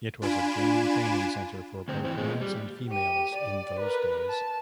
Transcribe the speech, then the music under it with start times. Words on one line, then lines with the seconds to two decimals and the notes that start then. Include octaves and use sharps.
It was a Jain training centre for both males and females in those days.
0.22 D4 F4 G#5 B5 D7 E7
1.88 D2 C4
2.05 E3 C4
2.17 A#2 G#3
2.41 G3
2.90 G4 D#7
3.35 D5
3.79 A#4 B4
4.29 A5